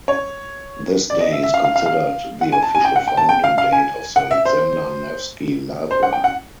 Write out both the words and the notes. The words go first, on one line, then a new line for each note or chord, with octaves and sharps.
This day is considered the official founding date of the Alexander Nevsky Lavra.
C#5
D5
D#5
E5
E5
F5
F5
F5
F5
F#5
G#5
A5
G#5
G5
F#5
G5
A5
G5
F5
F5
G#5
F#5
E5
C5
C5
F#5
G5
F#5